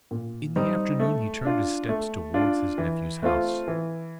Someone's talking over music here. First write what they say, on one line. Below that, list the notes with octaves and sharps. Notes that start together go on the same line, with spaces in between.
In the afternoon he turned his steps towards his nephew's house.
A#2
G3 C4 D#4
A3
D4 F4
A3
D4 F4
E3
A3 C4 F4
E3